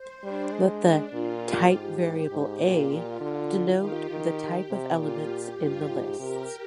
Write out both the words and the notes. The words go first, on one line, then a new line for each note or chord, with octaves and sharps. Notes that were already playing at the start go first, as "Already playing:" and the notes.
Let the "type variable a" denote the type of elements in the lists.
Already playing: C5
G3 D4
G#3
D4
A#2 F4
G4
G#2 G4
G4
G#2
A#2 F4
A#2
D3
D#3 G4
D#3
C3 G4
A#2 F4
G4
G2 F4
G#2 G4
C3 A#4